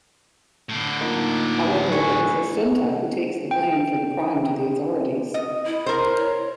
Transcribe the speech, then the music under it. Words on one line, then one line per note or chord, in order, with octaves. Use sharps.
However it is Assunta who takes the blame for the crime to the authorities.
A2 D3
A#3 D#4 F4
G#5 C#6
G5
D#5
E4
A#4 C5
C#5